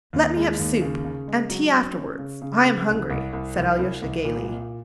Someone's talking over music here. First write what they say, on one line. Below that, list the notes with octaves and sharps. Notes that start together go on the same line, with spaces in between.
"Let me have soup, and tea afterwards, I am hungry," said Alyosha gayly.
D#2
G#3
D#2
C#3
C#3
G#3
F#3
C#4
C#4
C#3
C#3
C#3
C2
C2
C2
C2
C2
C2
A#2
A#2